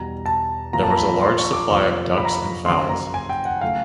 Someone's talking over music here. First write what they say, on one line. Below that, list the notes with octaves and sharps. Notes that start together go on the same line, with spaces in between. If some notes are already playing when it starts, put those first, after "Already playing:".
There was a large supply of ducks and fowls.
Already playing: E2 B2 G3 A#5
A5
A#2 F3 A#3 A#5
A5
A#5
B5
C6
C#6
D6
F2 C3 F3 A#3 C#6
B5
A#5
B5
F#2 C#3 F#3 A#3 C6
A#5
G#5
G5
F#5
C#3 F#3 A3 F5